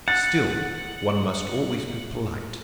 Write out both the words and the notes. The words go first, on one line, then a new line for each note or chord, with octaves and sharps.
Still one must always be polite.
F#5 A6